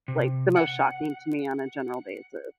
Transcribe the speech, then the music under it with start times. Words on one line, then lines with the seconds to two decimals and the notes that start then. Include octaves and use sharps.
like, the most shocking to me on a general basis.
0.08 C3
0.56 F#5